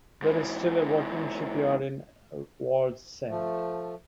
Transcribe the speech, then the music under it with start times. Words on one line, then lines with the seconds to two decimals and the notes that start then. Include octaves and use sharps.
There is still a working shipyard in Wallsend.
0.22 G#2 E3
3.29 F3 A3